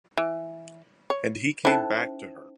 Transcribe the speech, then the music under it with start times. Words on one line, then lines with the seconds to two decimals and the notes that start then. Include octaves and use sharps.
And he came back to her.
0.17 E3
1.10 C#5
1.65 C#4 D#4 E4 A4 C5